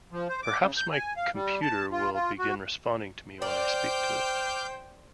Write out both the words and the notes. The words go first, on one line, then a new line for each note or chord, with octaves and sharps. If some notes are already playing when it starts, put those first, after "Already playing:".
Perhaps my computer will begin responding to me when I speak to it.
F3
C5
D6
C#3
G6
G#5
F5
G3
A5
F4
F4
F#4
C5 D5 G5 D6 F6 G6